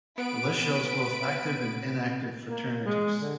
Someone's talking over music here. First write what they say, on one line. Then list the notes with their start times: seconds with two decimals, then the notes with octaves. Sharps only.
The list shows both active and inactive fraternities.
0.18 B3 B4 D7
2.48 A#3
2.85 G#3
3.21 D3